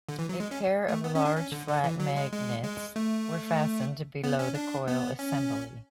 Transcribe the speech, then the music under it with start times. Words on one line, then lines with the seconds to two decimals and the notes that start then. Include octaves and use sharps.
A pair of large flat magnets were fastened below the coil assembly.
0.09 D3
0.19 E3
0.29 F#3
0.40 G#3
0.51 C#4
0.88 A3
1.04 B3
1.15 C#4
1.25 D4
1.36 C#4
1.52 D3
1.68 D3
1.84 E3
2.00 F#3
2.16 G#3
2.32 G#3
2.64 G#3
2.96 A3
4.24 B3
4.39 C#4
4.55 D4
4.88 B3
5.19 C#4